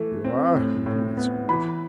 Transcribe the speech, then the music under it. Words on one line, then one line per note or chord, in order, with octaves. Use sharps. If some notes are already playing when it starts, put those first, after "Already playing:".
"You are?" repeated Scrooge.
Already playing: E3 A3
C4
A2
A2
B3
E3 B5